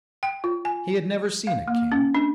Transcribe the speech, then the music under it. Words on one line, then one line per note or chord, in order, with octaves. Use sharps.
He had never seen a king.
G5
F4
G#5
F5
A#3
C#4
D4